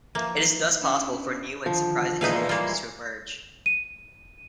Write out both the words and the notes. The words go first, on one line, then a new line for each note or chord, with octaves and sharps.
It is thus possible for new and surprising solutions to emerge.
F3 A#3 B4 E5
C#4 D4 E4
D3 D#3 F3
A#2 E3 G#3 A#3 D#4 B4 F5
G3 A#3 F4 B5
D#7